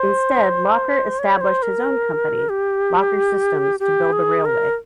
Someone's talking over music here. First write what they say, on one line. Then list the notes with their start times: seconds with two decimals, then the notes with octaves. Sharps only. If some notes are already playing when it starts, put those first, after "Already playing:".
Instead, Locher established his own company "Locher Systems" to build the railway.
Already playing: C5
1.19 C#5
1.41 C5
1.63 A#4
2.49 G4
3.80 G4
4.13 G#4
4.45 A#4